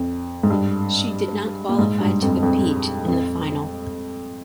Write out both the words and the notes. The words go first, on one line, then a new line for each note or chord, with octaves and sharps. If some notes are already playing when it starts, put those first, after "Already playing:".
She did not qualify to compete in the final.
Already playing: F2
G#2
G2
A#2
G#2
G2
F2
F2
F2